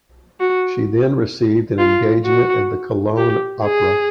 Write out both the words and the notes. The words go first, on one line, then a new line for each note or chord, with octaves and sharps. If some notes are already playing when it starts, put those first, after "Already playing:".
She then received an engagement at the Cologne Opera.
F#4
F4
F#4
G4
G#4